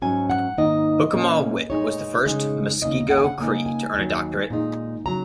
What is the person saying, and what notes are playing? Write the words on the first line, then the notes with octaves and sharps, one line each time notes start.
Hookimaw-Witt was the first Muskego-Cree to earn a doctorate.
G#2 F#3 C#4 G#5
F#5
G#2 D#3 A#3 D#4 D#5
A#2 A#3 C#4
A#2 G#3 D#4 C#5
C#3 G#3 D#4
D#2 C#3 A#3 D#4 D#5
F#5
G#5
F#5
C#3 A#3 D#4 G#5
G#5
D#2 D#3 F#3
A#2 G#3 D#4
C#3 F#3 A#5